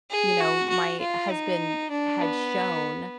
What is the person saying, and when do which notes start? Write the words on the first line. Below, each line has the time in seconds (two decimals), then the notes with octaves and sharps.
you know, my husband had shown
0.10 G#4
0.40 F#4
0.70 F#4
1.00 F4
1.31 D#4
1.90 D4
2.21 B3